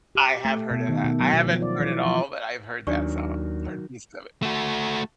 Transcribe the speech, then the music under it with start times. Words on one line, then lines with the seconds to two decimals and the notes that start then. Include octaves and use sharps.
I have heard of that. I haven't heard it all, but I've heard that song. Heard a piece of it.
0.15 G4
0.45 A3
0.71 B2
0.89 D#3
1.04 B2
1.20 F#3
1.33 B2
1.47 F3
1.62 D5
1.80 E3
2.05 F3
2.87 D#2 D#3 F#3 D4 D5 C#6
4.43 A3 F#4